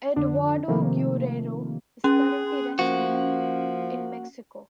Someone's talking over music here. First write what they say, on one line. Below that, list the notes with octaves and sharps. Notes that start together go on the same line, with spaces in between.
Eduardo Guerrero is currently wrestling in Mexico.
F2 D3 D4
C3 D#3 F3 A3 A#3
C#4 G#4
F3 A#3 F#4